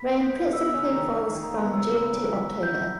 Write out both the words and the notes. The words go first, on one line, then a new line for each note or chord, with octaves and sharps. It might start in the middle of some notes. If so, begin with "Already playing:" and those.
Rain principally falls from June to October.
Already playing: B5 B6
B3
G6
B3 E6
B3
C#3 C#4
A#5
D#3 D#4
C#3 C#4 E6
D#3 D#4
A#3 A#5
B3
C#3 C#4 E6
B3
B5
C#3 C#4
B6
G6